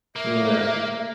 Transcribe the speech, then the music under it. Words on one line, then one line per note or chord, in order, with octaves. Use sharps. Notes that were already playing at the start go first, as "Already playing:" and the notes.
Mm, yeah.
A#3 E5